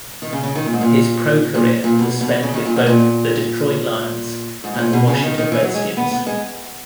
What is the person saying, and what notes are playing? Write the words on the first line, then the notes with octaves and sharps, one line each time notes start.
His pro-career was spent with both the Detroit Lions and the Washington Redskins.
D#3
C#3
C#3
D#3
A#2
G#2
A#2
A#2
A#2
B2
B2
C#3
D#3
A#2
B2
A#2
G#2
B2
A#2
B2
C#3
D#3
D#3
E3
F#3
G#3
B3
B3
G#3